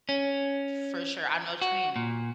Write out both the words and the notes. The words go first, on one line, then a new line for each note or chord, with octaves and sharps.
For sure. I know whatcha mean.
C#4
F#4
A#2